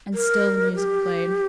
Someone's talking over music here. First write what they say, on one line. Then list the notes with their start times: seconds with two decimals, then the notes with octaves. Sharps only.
And still the music played.
0.14 A#4
0.75 G4